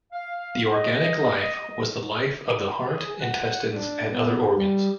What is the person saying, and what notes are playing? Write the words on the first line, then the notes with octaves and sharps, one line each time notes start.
The organic life was the life of the heart, intestines, and other organs.
F5
D#5
G#4
F#5
D4
B3
G3